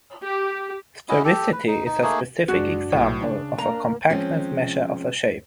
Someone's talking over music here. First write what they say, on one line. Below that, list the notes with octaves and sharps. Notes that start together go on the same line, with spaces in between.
Sphericity is a specific example of a compactness measure of a shape.
G4
C#4 E4 F#4 D#5
G4 A4
B4
D#4
D#4
A3 A#3 D#4 G#4
F#1 G#3 D4 F#4
B1 A2
C#3 D4
A#3 A#5
F3 G#3 C4 C#4